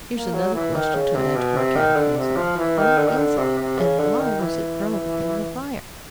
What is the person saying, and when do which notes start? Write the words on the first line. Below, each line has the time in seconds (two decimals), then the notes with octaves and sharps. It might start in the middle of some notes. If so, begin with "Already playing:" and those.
Here's another question to add to our catechism: what is it, and why was it thrown in the fire?
0.14 A#3
0.34 F#3
0.54 E3
0.75 D#3
0.95 C#3
1.15 C3
1.35 B2
1.56 C3
1.76 D#3
1.96 D3
2.17 C3
2.36 F3
2.57 E3
2.78 D#3
2.98 D3
3.08 D#3
3.17 D3
3.38 C3
3.59 C3
3.78 C#3
3.99 D3
4.20 D#3
4.40 E3